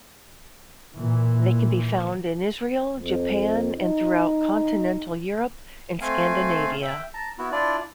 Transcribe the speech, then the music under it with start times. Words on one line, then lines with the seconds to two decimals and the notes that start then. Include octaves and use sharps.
They can be found in Israel, Japan and throughout continental Europe and Scandinavia.
0.94 A#2 E3
2.98 F2
3.77 D#4
6.01 A3 C4 F5 G#5
6.82 E5 G5
7.14 A5 A#5
7.38 B3 E4 F#4
7.52 D4 E4 F4 D5